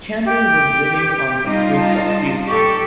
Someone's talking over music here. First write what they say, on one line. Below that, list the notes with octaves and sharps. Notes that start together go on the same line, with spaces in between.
Kendall was living on the Streets of Houston.
G4
G3 D#4 F4
A5
G4 A4 C#6